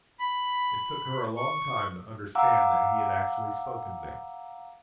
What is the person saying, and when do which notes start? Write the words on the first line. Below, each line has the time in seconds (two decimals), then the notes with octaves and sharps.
It took her a long time to understand that he had actually spoken them.
0.20 B5
1.37 C#6
2.35 F5 F#5 A#5 D6 E6